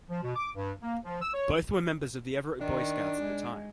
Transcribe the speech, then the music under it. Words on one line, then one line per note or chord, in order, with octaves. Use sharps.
Both were members of the Everett Boy Scouts at the time.
F3
B2
D6
G2
A#3
F3
E6
C#5
D#3 D4
G#3